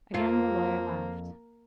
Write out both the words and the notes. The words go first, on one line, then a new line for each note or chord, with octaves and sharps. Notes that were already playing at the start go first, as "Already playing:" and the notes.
Again the lawyer laughed.
F2 F3 A#3 F4